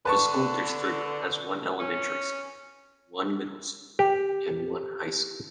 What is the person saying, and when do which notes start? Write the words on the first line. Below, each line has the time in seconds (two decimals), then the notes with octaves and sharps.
The school district has one elementary school, one middle school, and one high school.
0.05 D3 B4 A5 C#6
1.79 C#4
3.99 G4